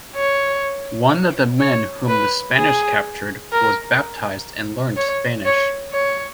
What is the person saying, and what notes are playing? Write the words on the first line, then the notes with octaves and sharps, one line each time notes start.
One of the men whom the Spanish captured was baptized and learned Spanish.
C#5
C#5
B4
G#4
A#4
C#5
C#5
C#5